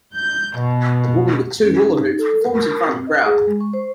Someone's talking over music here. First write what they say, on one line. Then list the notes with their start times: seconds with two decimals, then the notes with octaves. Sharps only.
A woman with two hula hoops performs in front of a crowd.
0.15 G6
0.60 B2
1.65 C#4
1.87 D#4
2.19 A4
2.41 A#4
2.87 C4
3.07 D#5
3.25 G#4
3.47 G#3
3.61 C#6
3.73 C5